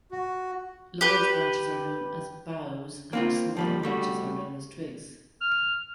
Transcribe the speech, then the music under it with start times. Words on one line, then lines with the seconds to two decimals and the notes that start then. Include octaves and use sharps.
Large branches are known as boughs and small branches are known as twigs.
0.11 F#4
1.01 G4 B4
3.13 A#3 C4 F4
3.57 F3 G3 A#3
3.83 G3 A3 F#4
5.41 F6